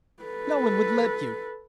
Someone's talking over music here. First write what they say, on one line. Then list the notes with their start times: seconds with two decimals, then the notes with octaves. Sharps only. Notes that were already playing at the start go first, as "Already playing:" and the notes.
No one would let you!...
0.23 A4 B4